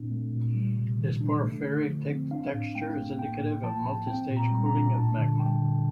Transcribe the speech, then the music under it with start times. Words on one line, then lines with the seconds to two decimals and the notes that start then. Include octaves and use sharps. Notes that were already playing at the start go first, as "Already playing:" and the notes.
This porphyritic texture is indicative of multi-stage cooling of magma.
Already playing: A#2 C4 D4
0.11 A3
0.33 A#2
0.55 G3
0.77 C3
0.99 D#3
1.21 D4
1.44 A3
1.65 D3
1.87 F3
2.09 C4
2.31 D4 F5
2.53 A2
2.75 A3 G5
2.97 A2
3.19 A#3 G5
3.41 A2
3.63 F3 A5
3.86 A2
4.07 C4 G5
4.29 A#2
4.37 A#5
4.51 G3
4.66 A#5
4.74 A#2
4.95 D4 A5
5.17 D3
5.39 G3 G5
5.61 D3